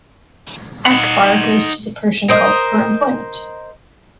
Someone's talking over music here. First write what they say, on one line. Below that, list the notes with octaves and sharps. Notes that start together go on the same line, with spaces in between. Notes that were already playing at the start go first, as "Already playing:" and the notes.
Akbar goes to the Persian Gulf for employment.
D#4 F#5
A#4 C5 D#5